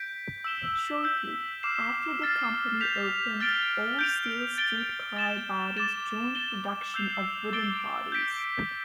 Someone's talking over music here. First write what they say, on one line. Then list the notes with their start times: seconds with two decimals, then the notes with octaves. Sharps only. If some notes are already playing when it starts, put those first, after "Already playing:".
Shortly after the company opened, all-steel streetcar bodies joined production of wooden bodies.
Already playing: G6 B6 D7
0.44 E6 B6 E7 G7
1.04 E6 G6 B6
1.63 D6 F6 C7 E7
2.22 F6 A6 C7
2.81 G6 B6 F7
3.40 F6 A6 D7 G7
3.99 G6 D7 F7
4.58 A6 D7 G7
5.16 A6 E7 G7
5.77 D6 A6 E7
6.35 A6 E7 G7
6.94 E6 G6 C7 F7
7.53 D6 A6 D7 G7
8.12 G6 B6 D7